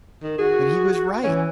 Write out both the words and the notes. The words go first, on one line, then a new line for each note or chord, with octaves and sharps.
But he was right.
D#3
F#4 G#4
E3 C#4